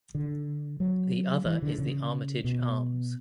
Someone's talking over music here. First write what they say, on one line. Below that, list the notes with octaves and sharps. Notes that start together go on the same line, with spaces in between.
The other is the Armytage Arms.
D3
F#3
E3
D3
C#3
B2